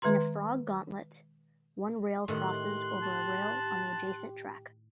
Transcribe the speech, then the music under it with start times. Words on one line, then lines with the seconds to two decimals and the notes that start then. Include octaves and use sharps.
In a frog gauntlet, one rail crosses over a rail on the adjacent track.
0.02 D#3 G#3 B4 A#5 C6
2.28 A2 D#3 G4 C6 F#6
3.02 A5